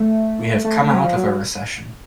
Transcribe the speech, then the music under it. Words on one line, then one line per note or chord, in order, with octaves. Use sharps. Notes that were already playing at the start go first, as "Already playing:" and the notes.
We have come out of a recession.
Already playing: A3
A3
A3
F#3
F3
F#3